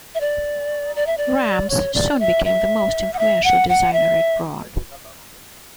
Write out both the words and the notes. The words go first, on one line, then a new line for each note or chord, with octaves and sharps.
Rams soon became the most influential designer at Braun.
E5
D5
D5
E5
D5
C#5
D5
E5
E5
F#5
E5
F#5
F#5
E5